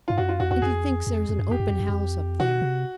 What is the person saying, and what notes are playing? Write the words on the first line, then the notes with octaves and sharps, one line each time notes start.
"And he thinks there's an open house up there."
G2 F4
F#2 F#4
F4
F2 F#4
E2 F#4
F2 G#4
F2
F2
F#2
F2 G4
F#2
F2
F#2
F2
B2 F#4
C3